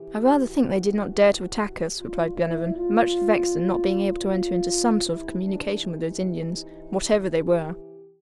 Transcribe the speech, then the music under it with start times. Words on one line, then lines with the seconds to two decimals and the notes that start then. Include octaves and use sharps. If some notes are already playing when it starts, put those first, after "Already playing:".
"I rather think they did not dare to attack us," replied Glenarvan, much vexed at not being able to enter into some sort of communication with those Indians, whatever they were.
Already playing: C3 E3 G4
0.46 F#4
1.98 A#2 F4
2.36 E4
2.75 F4
4.27 F4
5.04 C3 E3 E4
5.43 D4
5.80 D#4
6.57 D#4
7.34 G4